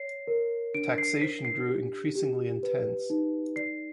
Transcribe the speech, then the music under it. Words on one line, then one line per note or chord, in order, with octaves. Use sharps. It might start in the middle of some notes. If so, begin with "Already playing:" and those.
Taxation grew increasingly intense.
Already playing: C#5 C7
A#4
D4 D7
C7
C5 B6
C7
G4
G4
B4
D#4
D5 C7